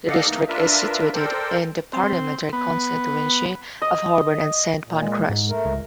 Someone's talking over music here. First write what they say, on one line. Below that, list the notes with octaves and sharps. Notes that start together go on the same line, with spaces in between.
The district is situated in the parliamentary constituency of Holborn and Saint Pancras.
G4 A4 D5 D#5 F5 F#5
C#3 E3 A3 A#3 D#4
D4 F4 A#4 B4 E5
A4 A#4 C5 D5 G5
C4
B3
D#5
A#2
G#3
G#2
A3 A#4
C#2